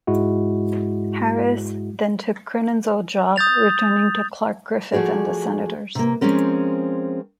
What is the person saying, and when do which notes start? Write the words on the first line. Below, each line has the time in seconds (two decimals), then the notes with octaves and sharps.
Harris then took Cronin's old job, returning to Clark Griffith and the Senators.
0.07 G#2 G#3 E4 F#4
3.36 D#6 G6 A6 F7
4.92 F3 A3 F#4 G#4 D5
5.95 C3 A#3
6.21 F3 G#3 C4 C#4 A#4